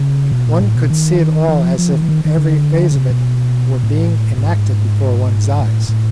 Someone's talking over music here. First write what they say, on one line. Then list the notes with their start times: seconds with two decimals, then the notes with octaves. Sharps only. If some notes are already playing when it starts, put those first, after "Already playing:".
One could see it all as if every phase of it were being enacted before one's eyes.
Already playing: C#3
0.32 B2
0.47 A#2
0.60 A2
0.75 B2
0.90 D#3
1.48 E3
1.63 F3
1.78 F3
1.93 D#3
2.02 E3
2.09 D#3
2.25 D#3
2.37 D3
2.91 C#3
2.96 C3
3.10 B2
3.83 A2
4.38 A2
4.42 G#2
5.60 A2
5.89 A2